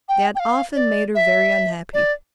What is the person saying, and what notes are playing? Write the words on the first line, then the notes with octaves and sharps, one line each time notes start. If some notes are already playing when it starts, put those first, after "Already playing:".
They had often made her very unhappy.
G5
G5
F5
D5
E5
D5